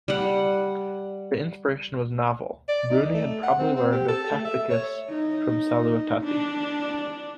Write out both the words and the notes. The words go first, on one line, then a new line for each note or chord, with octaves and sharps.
The inspiration was novel-Bruni had probably learned of Tacitus from Salutati.
G3 F#5
D5
D#4
A3
F#5
C4
C4
G4
A4
A3
E5
C#5
D#4
D4